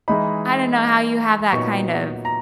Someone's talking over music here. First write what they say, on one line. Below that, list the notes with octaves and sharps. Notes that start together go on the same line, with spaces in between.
I don't know how you have that kind of
E3 G#3 D#4 B5
A#2 F#3 B3 D#4 C#6
A#5